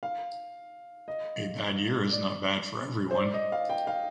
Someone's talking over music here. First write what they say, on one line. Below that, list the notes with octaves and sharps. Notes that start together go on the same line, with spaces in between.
A bad year is not bad for everyone.
F5
D#5
D5
C5
D5
D#5
F5
G5
F5